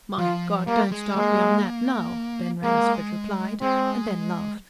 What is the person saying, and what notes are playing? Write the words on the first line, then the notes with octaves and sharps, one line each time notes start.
"My God, don't start me on that now!" Ben Rainsford replied, and then laughed.
F3 F4
G3 A#3
G#3
G#3 A#3
G#3 A#3
G#3 C4